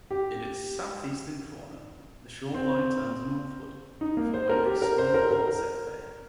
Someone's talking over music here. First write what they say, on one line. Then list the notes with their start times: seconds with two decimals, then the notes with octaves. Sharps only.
In its southeastern corner, the shoreline turns northward, forming the small Conset Bay.
0.11 G4
2.54 C4
4.01 D#4
4.17 A#3
4.34 C5
4.49 A#4
4.65 G4
4.82 A#4
4.98 C5
5.14 A#4
5.31 A#4
5.48 A#4